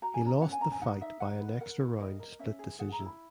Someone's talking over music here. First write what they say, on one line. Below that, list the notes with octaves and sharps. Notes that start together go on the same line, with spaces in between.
He lost the fight by an extra round split decision.
F#4 A#5
G#5
C#4 A#5
C#4 F#5
G#5
C#4 A#5
G#5
D#4 F#5
D#4 E5
D#4 F#5
B4
A#4 F#5
E4
A#4 D#5
A#4
C#4 E5
G#4
G#4 F#5
A#5
E4
B5